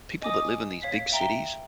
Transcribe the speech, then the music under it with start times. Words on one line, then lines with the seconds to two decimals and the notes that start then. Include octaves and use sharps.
people that live in these big cities,
0.22 D#5 G#5 D6 D#6
0.82 C#5 F5 B6
1.12 E5 G5 A#5 G7